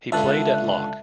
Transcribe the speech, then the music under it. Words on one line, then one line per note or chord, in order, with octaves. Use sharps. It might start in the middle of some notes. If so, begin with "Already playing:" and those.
He played at Lock.
C#2 G2 D3 E5 A5 F#6